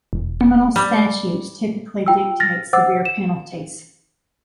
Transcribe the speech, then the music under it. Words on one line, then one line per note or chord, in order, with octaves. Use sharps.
Criminal statutes typically dictate severe penalties.
E1
G3
F4 G5 E6
F6 A6 A#6
C5 F#5 D6 E6 A6
E7